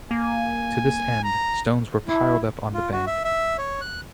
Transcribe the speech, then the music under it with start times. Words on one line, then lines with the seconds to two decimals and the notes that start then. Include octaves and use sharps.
To this end, stones were piled up on the bank.
0.11 A#3 G#5
1.24 A#5
2.07 E4
2.74 F4
2.93 F#4
3.07 E5
3.24 E5
3.58 C#5
3.81 F#6